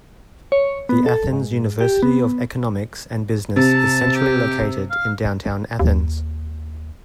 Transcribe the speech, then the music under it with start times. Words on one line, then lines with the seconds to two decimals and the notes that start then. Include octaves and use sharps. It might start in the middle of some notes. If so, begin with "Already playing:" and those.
The Athens University of Economics and Business is centrally located in downtown Athens.
0.52 C#5
0.89 B3
1.06 A4
1.33 G#2
1.81 G4
2.03 B3
3.56 C3 A5
4.15 G4
4.90 F5
5.79 D#2